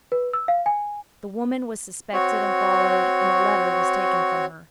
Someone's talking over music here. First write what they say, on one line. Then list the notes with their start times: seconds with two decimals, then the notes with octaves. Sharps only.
The woman was suspected and followed, and the letter was taken from her.
0.12 B4
0.33 E6
0.48 F5
0.66 G#5
2.13 C4 F#4 C#5